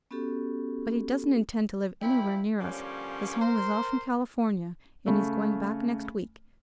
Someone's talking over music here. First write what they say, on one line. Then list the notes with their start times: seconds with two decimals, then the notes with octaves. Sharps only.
But he doesn't intend to live anywhere near us. His home is off in California, and he's going back next week.
0.11 B3 C#4 F#4 G4 A4
2.01 F#2 A#2 F3 E4 G5 B5
2.60 D3 F3 G3 A#3 C#4
3.40 A#4 C5 C6
5.06 C#3 A3